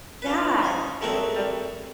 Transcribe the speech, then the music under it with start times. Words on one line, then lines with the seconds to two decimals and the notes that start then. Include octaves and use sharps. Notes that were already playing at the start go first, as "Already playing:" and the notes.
Yeah, so it has e
0.22 F4 B4
0.63 C#4 D#5 G#5
1.01 G#3 A3 C4 F#4 A#4